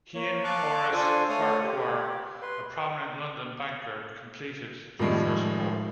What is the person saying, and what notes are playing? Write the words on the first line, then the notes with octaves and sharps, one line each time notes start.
He and Horace Farquhar, a prominent London banker, completed the first Board.
A#3 C#5
F5 A5 C#6 D6 F#6
D4 F4 A4 C5 G#5
A3 A4 C#5 F5 D#6
G4
B4 C6
A2 D#3 F3 G3 G#3